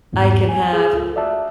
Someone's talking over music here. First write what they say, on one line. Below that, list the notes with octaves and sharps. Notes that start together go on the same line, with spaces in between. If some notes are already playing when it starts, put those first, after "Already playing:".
I can have
G1 E2 G#2 E3
G#5
G#4
C#2 F4 A4
F#4 D5 E5 A5